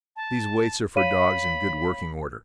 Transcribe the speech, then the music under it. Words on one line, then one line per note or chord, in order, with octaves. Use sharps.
These weights are for dogs in good working order.
A5
C#5 F5 B5 D#7